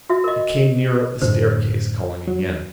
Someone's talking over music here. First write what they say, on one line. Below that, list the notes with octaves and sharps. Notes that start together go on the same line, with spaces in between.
It came nearer up the staircase, calling again.
F#4 E5
A#4 D#5
F#2 A2 D3 C5
F#3